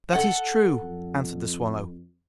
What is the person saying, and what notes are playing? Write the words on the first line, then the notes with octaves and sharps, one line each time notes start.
'That is true,' answered the swallow.
A4 F#5
F2